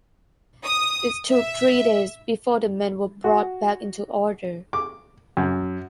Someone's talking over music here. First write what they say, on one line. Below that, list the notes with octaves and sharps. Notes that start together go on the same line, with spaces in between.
It took three days before the men were brought back into order.
D#6
E5
F#4
D6
F#2